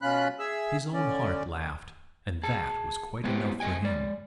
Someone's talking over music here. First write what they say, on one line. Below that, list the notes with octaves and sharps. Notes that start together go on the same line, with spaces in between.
His own heart laughed: and that was quite enough for him.
B2 C#4 F4 B5 F#6
G#4 E5 E6
D3 C#4 D5
G#4 A5
G#3 B3 C4 E4 G4
A3 C4 D#5 G5 G#5
G#3 D5